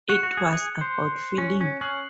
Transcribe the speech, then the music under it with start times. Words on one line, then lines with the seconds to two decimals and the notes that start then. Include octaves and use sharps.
It was about feeling.
0.09 F#4 F#6 C#7 F7
0.23 F#4
0.37 G#4
0.53 G#4
0.81 C5
1.38 C#4
1.61 C#4
1.81 C#4 D#6 F#6 C7 F#7